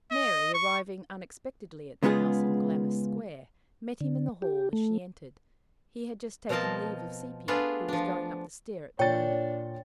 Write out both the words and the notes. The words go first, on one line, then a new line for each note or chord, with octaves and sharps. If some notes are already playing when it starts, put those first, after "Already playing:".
Mary, arriving unexpectedly at the house in Glammis Square, met him in the hall as she entered: he had just taken leave of Sepia, who was going up the stair at the moment.
D#5
C#6
C#3 G#3 B3 F4 G#4
D3
G4
A3
B2 F3 C4 A#4 D#5 A5
A3 B3 D4 F4 G#4 B4
F3 D4
A#2 D4 C#5 G5 A6